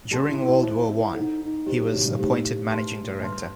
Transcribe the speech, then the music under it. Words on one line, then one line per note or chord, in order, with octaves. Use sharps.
During World War One he was appointed managing director.
G3 A4 D#5 A5 C6
E4
E4
E4 C5 D#5 A5
E4
D#4 A4 D#5 F#5
D#4
G3 E4 G4 C5 D#5
F#3
B2
G2
A2 D#4 G4 C5
G4 B4 E5 A5 C6
G2 B4 E5 A5 C6